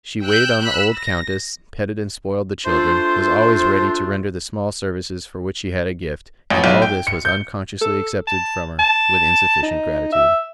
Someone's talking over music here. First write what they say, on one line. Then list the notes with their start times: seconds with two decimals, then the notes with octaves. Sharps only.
She waited on the old countess, petted and spoiled the children, was always ready to render the small services for which she had a gift, and all this was unconsciously accepted from her with insufficient gratitude.
0.22 G5 E6 F#6 G6
0.60 B5 E6 F#6
0.94 A#6
2.66 A3 D4 F4 C5
6.50 A1
6.64 B1
6.82 G5
7.07 C#7
7.25 G6
7.81 A4
8.27 A5
8.79 A5
9.63 D#4
10.13 E5